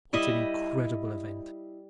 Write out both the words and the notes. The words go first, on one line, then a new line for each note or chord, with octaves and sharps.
"What an incredible event!"
G3 E4 D#5 E5